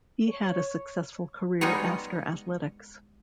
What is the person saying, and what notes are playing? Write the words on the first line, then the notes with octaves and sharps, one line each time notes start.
He had a successful career after athletics.
C#5
G3 G#3 B3 D#4 C#5